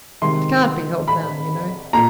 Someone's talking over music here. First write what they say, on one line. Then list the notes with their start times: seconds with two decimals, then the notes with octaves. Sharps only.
It can't be helped now, you know.
0.22 C3 D#3 G#3 C6
1.08 B5
1.93 A#2 A#5